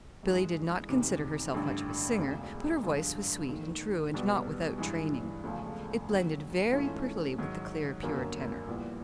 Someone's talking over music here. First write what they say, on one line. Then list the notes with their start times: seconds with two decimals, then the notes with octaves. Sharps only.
Billy did not consider herself much of a singer, but her voice was sweet and true, and not without training. It blended very prettily with the clear, pure tenor.
0.23 G2 E3 G#3
0.88 E1 D2 C3 D#3
1.54 A1 G2 D3
2.18 E1 D2 C#3
2.83 G2 D3 F3 G#3
3.49 F1 D#2 D#3
4.14 C2 B2 G3 B3
4.78 G2 E3 G#3
5.43 E1 D2 C#3 F3 A3
6.08 E1 D#2 D3 F#3
6.72 G#2 E3 A3 C#4 F4
7.39 G#2 D#3 F#3
8.03 G1 F#2 D3 F#3 A#3
8.67 A#1 A#2 G3 B3 E4